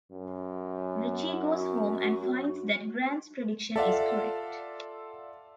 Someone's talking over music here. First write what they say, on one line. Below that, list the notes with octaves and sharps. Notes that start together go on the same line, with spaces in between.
Ritchie goes home and finds that Grant's prediction is correct.
F#2
F#4
F4 A4 D5 E5 F#5